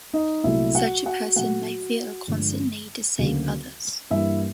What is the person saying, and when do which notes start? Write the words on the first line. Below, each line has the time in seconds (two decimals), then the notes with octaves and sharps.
Such a person may feel a constant need to "save" others.
0.13 D#4 D#5
0.44 C2 A#2 F#3 A3 E4 E5
0.75 F#4 F#5
1.06 F#4 F#5
1.36 A#2 F#3 A3 F#4 F#5
2.27 G2 D3 F3 G#3
3.18 D2 C#3 F#3 A#3
4.10 G2 E3 G3 A#3 E4 E5